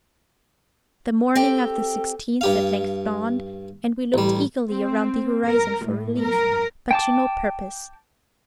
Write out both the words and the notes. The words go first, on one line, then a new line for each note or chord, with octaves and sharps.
The morning of the sixteenth at length dawned, and we looked eagerly around the horizon for relief, but to no purpose.
C4 G4 A4 G5
G2 G4 F5
A1 G3
C4
A#4
A2
A#4
G5 A5 D6